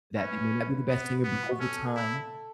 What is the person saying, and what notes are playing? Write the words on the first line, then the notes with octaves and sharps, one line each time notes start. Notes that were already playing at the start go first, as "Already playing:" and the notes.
that they may not be the best singer, but over time,
C#4 B4
B3
B3
E4
F#4
C#4 A4
E4